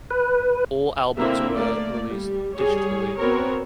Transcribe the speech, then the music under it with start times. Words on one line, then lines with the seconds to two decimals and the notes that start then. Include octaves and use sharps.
All albums were released digitally.
0.10 B4
1.18 D3 A#3 C4 E4 A#4 E5
1.55 A3 A#3 D5
2.10 G3
2.55 G3 G#4 C#5
3.18 B3 C4 F#4 A#4 C#5